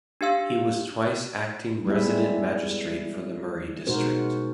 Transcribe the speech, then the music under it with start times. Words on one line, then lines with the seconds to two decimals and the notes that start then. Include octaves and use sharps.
He was twice acting resident magistrate for the Murray district.
0.21 D4 G4 F5 E6
1.86 G3 G#3 B3 E4 E5
3.87 B2 G#3 D#4 F#4 A#4 C5